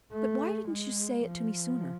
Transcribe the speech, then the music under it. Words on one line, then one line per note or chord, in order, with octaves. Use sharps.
"But why didn't you say it to me sooner?"
A3
G#3
F3